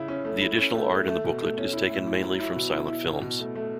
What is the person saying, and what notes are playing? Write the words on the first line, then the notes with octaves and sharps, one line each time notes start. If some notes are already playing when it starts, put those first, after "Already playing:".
The additional art in the booklet is taken mainly from silent films.
Already playing: C#3 E4
C#4
A3
E4
C#4
A3
A3
A3
B2
A3
C#4
E4
A2
E4
F#3
E4
B2
E4
E4
B2
B2
A3
A3